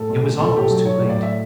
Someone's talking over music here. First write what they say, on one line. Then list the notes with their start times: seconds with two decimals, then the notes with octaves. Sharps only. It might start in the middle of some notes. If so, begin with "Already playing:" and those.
It was almost too late.
Already playing: A2 A4
0.09 B1
0.40 B1 A4
0.56 G4
0.63 A4
0.70 F#3
0.86 C#5
1.02 A2
1.09 D5
1.23 E5